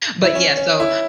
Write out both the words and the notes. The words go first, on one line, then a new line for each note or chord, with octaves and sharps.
But yeah, so
E4
C#4
C#4
E4